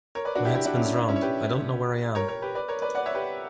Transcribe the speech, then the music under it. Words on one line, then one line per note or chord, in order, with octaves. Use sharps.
My head spins round: I don't know where I am.
A#4 C#5
B4 D5
D4 F#4
E4 G4
E4 G4
D4 F#4
C#4 E4
C#4
D4
C#4 E4
C#5
G4 B4
A#4 C#5
A#4 C#5
G4 B4
B4 D5
A#4 C#5
B4 D5
D5 F#5
C#5 E5
G4 B4